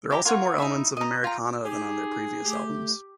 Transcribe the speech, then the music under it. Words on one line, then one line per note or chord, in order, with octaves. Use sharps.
There are also more elements of Americana than on their previous albums.
E4 G4 A#5
F4 A#4 C#5 F#5
D#4 F#4 E5 B5
D#5 A#5
F4 G5 A#5
D#4 G4 G#4
A3 G4